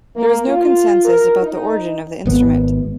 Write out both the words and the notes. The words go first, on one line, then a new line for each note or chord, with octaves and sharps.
There is no consensus about the origin of the instrument.
A#3
F4
A#4
D#4
G#1 B3